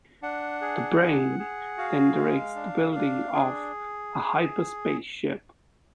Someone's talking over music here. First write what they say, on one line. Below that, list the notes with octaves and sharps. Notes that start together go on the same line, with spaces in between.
"The Brain" then directs the building of a hyperspace ship.
D4 F#5
G#4
G#4
G#4
F#4 F5
G#3
D4
D4
D4 G#4